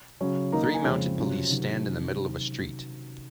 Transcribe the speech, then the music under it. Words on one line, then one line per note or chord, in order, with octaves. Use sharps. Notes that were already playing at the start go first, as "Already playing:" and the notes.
Three mounted police stand in the middle of a street.
C#3 F#3 C#4
D#3 A#3 D#4 A#5
A#5
G#5
F2 C#3 F3 G#3 C4 C#5
C3 F#3 C#4 F4
C3 D#3 F#3 F#4